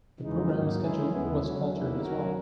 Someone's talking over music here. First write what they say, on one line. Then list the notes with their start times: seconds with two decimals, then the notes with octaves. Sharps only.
The program schedule was altered as well.
0.20 E2 C#3 E3 G#3 D#4
0.50 G#2 D#3 F#3 A#3 D#4
0.80 G#3 C#4 E4 G#4
1.11 D#2 C#3 G#3 B3 E4
1.41 C#3 F#3 C#4
1.71 E2 D#3 A#3 E4
2.02 D#3 F#3 C#4 F#4 A#4